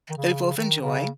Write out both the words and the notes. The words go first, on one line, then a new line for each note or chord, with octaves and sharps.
that we both enjoy.
D#3
C#3
D#3
C#3